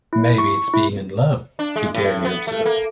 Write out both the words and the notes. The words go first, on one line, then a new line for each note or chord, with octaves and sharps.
"Maybe it's being in love," he daringly observed.
E4
C#6
E4
D4
G#3
A2
B3
A3
A#3